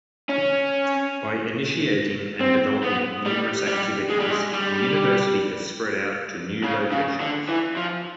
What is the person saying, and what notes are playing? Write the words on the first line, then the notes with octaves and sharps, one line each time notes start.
By initiating and developing numerous activities the University has spread out to new locations.
C#4
C4
B3
G3
G3
G#3
G3
G#3
G3
C#3
C#3
D3
E3
F3